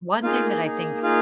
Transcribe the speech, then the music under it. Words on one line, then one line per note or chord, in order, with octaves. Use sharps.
one thing that I think,
A#3 D#4 F4 G#4 F5
A#3 D#4 G#4
A#3 D#4 F4 G#4 F5